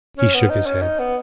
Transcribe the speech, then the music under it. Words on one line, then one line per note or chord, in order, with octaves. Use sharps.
He shook his head.
C#4
B3
D#4
C#4
D#4
B3